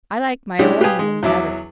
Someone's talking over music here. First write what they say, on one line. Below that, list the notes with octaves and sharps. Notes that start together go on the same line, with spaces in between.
I like my own room better.
G#3 C#4 D4 E4 G4
G4 B4 F5 G5 G#5 D#6
G#3
E2 F#3 E5 D6